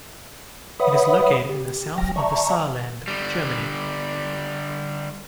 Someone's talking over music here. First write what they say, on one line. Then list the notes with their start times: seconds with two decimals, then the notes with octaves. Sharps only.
It is located in the south of the Saarland, Germany.
0.80 B4 C#5 E5 F#5 B5 D#6
1.49 G4
1.98 F#3 G5 F6 A#6
2.16 D5 E5 A5 A#5 C#6
3.08 D3 G3